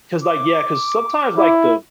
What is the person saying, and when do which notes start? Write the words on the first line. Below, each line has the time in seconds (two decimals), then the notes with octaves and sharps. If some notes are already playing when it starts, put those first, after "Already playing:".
'cause, like, yeah, 'cause sometimes, like, the
0.22 D6
1.37 E4